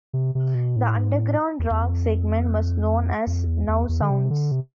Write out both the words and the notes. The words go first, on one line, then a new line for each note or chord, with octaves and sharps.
The underground rock segment was known as Now Sounds.
C3
C3
B2
A2
G#2
A2
E2
E2
F2
F2
E2
E2
E2
D3
C3
D3
C3